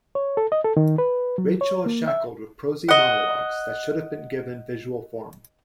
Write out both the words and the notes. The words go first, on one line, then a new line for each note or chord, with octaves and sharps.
Rachel is shackled with prosy monologues that should have been given visual form.
C#5
A4
D#5
A4
D#3
B4
F#3
C#5
A#3
E5
D#5 F#5